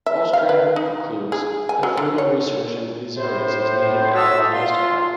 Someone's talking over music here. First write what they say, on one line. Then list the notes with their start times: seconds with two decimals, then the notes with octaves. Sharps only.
Ostrander concludes that further research into these areas is needed and well justified.
0.06 E5
0.33 F5
0.49 B4
0.76 D#4
1.32 G#4
1.69 G#5
1.83 F#3
1.97 D3
2.18 C#5
3.17 A2 C5
4.14 F#4 C#5 E5 A5 D#6 E6
4.52 F4 C6